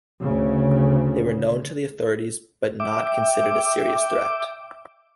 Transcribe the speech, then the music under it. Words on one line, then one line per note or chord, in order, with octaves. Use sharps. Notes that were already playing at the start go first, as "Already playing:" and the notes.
They were known to the authorities but not considered a serious threat.
D2 C#3
E5 G5 D6